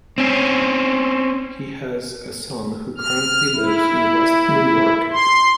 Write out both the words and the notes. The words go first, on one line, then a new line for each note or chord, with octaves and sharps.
He has a son who currently lives in West New York.
C4 C#4
F6
E4
C6